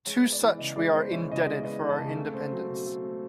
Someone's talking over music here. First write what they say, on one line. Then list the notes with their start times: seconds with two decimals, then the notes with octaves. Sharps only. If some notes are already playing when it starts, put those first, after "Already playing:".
To such we are indebted for our Independence.
0.06 G#3 C#5
0.24 B3
0.32 D5
0.42 E3
0.58 C#3 D#5
0.76 G#3 D5
0.94 B3 C5
1.11 E3 C#5
1.28 C#3 D#5
1.37 D5
1.46 G#3
1.64 B3 D#5
1.81 E3
1.89 A5
1.99 C#3
2.16 A3
2.34 C4
2.51 F#3
2.69 B2
2.86 A3
3.03 C4